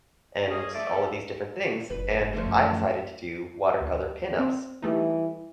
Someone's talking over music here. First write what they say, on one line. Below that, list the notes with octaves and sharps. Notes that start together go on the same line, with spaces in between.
and all of these different things, and I decided to do watercolor pin-ups.
A#3 C#4 G#4 D#5
F3 A3 D5
B2 G3 A4
F#1 B4
F3 G#3 A3
F#2
D2
C4
E3 G3 A3 D#4